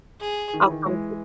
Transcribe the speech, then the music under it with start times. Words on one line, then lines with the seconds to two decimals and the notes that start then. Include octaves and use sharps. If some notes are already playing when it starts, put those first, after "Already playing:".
I'll come to"
0.20 G#4
0.54 D#3
0.62 E3
0.70 D#3
0.86 E3 G#3